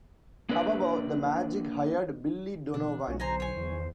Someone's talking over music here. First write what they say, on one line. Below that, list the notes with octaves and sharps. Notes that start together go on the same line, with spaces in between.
However, the Magic hired Billy Donovan.
A#3 D4 B4 D5
B2 D3 E3 D4
B1 C#4 F4 F#4
D3 F#3 D#4 C5 G#5 A#5
C#5 G#5
E2
D#3